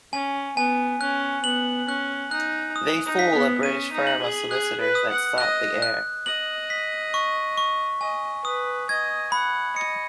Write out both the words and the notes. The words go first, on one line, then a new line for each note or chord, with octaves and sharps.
They fool a British firm of solicitors that sought the heir.
C#4 G#5
B3 G#5
C#4 F#6
B3 F#7
C#4 F#6
D#4 F#6
D#6
D#4
B6
B3
C#4 D#7
D#4
F#7
G#4
G#4 F#6
B4
D#6
F#5
D#5 F#6
F#6
D#5 F#7
B6
C#6
C#6
D#5 G#5
B4 D#6
D#5 G#6
F#5 B5
D#5 C#7